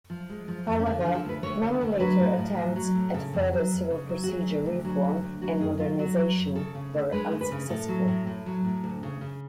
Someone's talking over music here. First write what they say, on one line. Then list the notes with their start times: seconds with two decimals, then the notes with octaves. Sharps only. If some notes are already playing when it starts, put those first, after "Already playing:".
However, many later attempts at further civil procedure reform and modernization were unsuccessful.
0.10 F3
0.30 G#3
0.48 F3
0.67 F2
0.80 C#4
0.87 D3 D4
1.00 F4
1.05 F3
1.15 A4
1.25 D2 B4
1.43 D2 C#5
1.62 D2
1.81 D2
2.00 F#3 B4
2.20 A2
2.38 A2
2.57 F#3
2.76 F#3
2.95 A2
3.14 C#3 A4
3.33 F2
3.53 F#3
3.72 F2
3.91 C#3
4.09 F#3
4.23 F#4
4.28 F#3 G#4
4.47 D2
4.66 D2
4.85 F#3
5.04 D2
5.23 D2
5.42 F#3 F#4
5.60 F#2 G#4
5.79 F#3 F4
5.99 F#3 F#4
6.17 F#3
6.38 F#2
6.55 C#3 A4
6.75 C#3
6.94 D2
7.12 G#3 B4
7.32 D2
7.41 B4
7.51 C#3
7.69 A2 A4
7.88 F#3
8.08 A2
8.27 A2
8.46 F#3
8.65 A2
8.84 D2
9.03 C#3
9.21 C#3